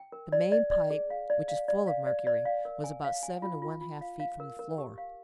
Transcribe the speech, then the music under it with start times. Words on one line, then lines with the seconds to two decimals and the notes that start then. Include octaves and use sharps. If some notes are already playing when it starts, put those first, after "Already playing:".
The main pipe, which was full of mercury, was about seven and one-half feet from the floor.
Already playing: G5
0.12 A#4
0.32 D5
0.52 D5
0.71 D5
0.90 G#4
1.10 F5
1.30 D5
1.48 F5
1.68 D5
1.87 F5
2.07 D5
2.27 D5
2.45 F5
2.65 A#4
2.84 G#5
3.04 F5
3.23 G#5
3.42 F4
3.62 F4
3.81 F4
4.01 F5
4.20 F5
4.40 A#4
4.59 A#4
4.78 G4
4.98 F5